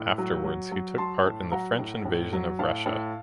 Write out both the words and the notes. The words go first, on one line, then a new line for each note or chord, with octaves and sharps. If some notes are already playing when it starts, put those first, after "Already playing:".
Afterwards he took part in the French invasion of Russia.
Already playing: A2
F#3
F#3
F#3
F#3 A5 C6
A2
F#3 F#5 A#5
A2
A2
F#3
A2 F5 A5
A2